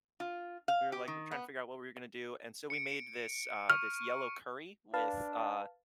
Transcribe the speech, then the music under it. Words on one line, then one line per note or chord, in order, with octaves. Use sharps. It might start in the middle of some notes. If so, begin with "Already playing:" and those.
we were like we're trying to figure out what we were gonna do, and so we made this, uh, this yellow curry with, uh,
F4
F5
G4
D#3
B3
C#7 D7
C#6 F6
D4 B4 F5 A5